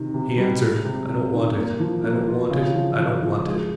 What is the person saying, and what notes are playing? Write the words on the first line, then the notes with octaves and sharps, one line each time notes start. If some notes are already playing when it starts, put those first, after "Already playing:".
He answered: "I don't want it; I don't want it; I don't want it."
Already playing: C3 D#3
C3
G3
G#3
C3
C3
D#3
A#3
F3
A#3
F4
C#3
F3
F3
F3
G#3